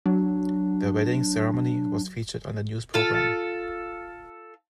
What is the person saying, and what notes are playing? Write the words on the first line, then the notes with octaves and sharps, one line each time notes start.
Their wedding ceremony was featured on the news programme.
F#3 D4
F4 A4